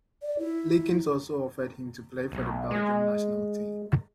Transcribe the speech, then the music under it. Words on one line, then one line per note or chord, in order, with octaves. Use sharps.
Leekens also offered him to play for the Belgium national team.
D5
E4
B1
G#3